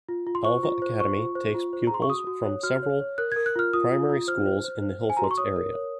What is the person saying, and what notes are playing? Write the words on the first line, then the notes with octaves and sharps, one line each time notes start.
Alva Academy takes pupils from several primary schools in the Hillfoots area.
F4
F4
C6
C5 C#6
F4
C5
C5 C#6
F4
C5
F4
C5
A#5
G#4 C6
C#6
F#4 D#6
F#4
C#5
F#4 F6
C#5
C#5
A#4 F#6
A#4 G#6
F#6
F4 F6
F4 D#6
F4
F4
C5 F6
C5
C5
C5
C5
G#5
F#4 A#5
C6
C#6
C#5 D#6
A#4
C#5